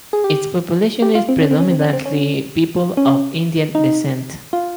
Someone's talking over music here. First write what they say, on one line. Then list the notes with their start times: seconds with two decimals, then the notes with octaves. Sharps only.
Its population is predominantly people of Indian descent.
0.13 G#4
0.24 G4
1.02 G4
1.15 F4
1.29 C4
1.42 C#4
1.51 C4
1.60 C#4
1.71 C4
1.81 C#4
1.93 C4
2.06 C#4
2.97 C#4
3.75 D#4
4.53 F4